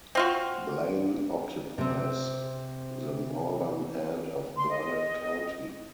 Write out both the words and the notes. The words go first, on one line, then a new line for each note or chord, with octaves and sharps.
Blaine occupies the northern end of Burnett County.
C4 F4 F#4
C3 C4
C6
D#5